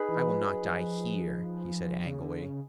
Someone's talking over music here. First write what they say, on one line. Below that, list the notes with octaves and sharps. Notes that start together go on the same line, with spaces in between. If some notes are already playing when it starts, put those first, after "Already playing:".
"I will not die HERE," he said angrily.
Already playing: D#4 G#4 B4
E3
F3
F#3
F3
C#3
D3
C#3